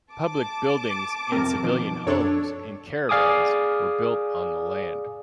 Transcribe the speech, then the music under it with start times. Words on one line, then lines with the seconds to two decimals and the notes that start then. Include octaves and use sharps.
Public buildings and civilian homes and caravans were built on the land.
0.12 A5 D6
1.32 F2 C3 C4 A#4
1.63 B2 D#3 F3
2.07 F#2 D4 A4 C#5
3.09 G#4 D5 F5 G#5 D6 D#6